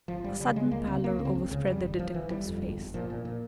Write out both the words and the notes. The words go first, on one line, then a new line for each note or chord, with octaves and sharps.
A sudden pallor overspread the detective's face.
G#1 F3
G2 G3
C#3 G3
C#3 G#3
C#2 A#3
C#3 C4
C#2 A#3
C#3 C#4
C4
C#2
C#3
F2 G3
G1
G1 F3
G1 E3
G1 G3
F2
G1
G1
A#2 F3
A#2
A#2